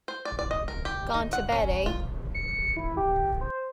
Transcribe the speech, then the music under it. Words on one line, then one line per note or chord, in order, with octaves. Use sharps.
Gone to bed, eh?
C5
D5
D5
D#5
A#4
G4
D#4
F#5
C#4
F4
C#7
E4
G4
C5